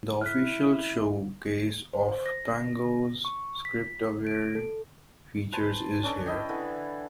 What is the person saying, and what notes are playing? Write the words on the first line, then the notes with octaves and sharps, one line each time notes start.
The official showcase of Pango's script-aware features is here.
E4 F6 F#6 B6
C5
A#6
C#6
B6
D7
A4
B4 C5 G#5 A5
C#4 D4 A4
E4 D#5 G5
D3 E3